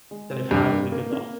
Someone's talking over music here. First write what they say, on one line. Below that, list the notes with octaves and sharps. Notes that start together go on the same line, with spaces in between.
that I've had a weekend off.
G#3
C4
G2 G3
A#3
A#3
A#3